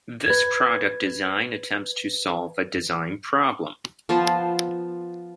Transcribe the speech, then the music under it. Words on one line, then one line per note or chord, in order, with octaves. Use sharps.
This product design attempts to solve a design problem.
B4 G#6
F3 B3 C5 A5